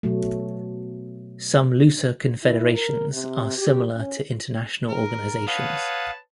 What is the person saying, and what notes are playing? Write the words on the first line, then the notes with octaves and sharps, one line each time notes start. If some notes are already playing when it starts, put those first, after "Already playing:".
Some looser confederations are similar to international organisations.
B2 F#3 A3
E4
A#4
C3
G4
C#4
A#4
B4 C#5 F5 F#5 A5 D#6